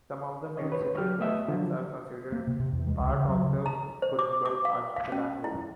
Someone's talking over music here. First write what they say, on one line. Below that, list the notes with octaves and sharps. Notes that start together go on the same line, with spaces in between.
Some of the municipal islets are considered part of the Gothenburg archipelago.
D#3 C#4 C#5 D#5
B4 C#5
F#3 G4 F6
A3 B3 D#5 E5
D3 F3 F#3
A#3
C3
C3
E2
G#3
C#2
C#3
F#3
C#3
A#5
C5
D6
D6
F5
F5
C#4
E4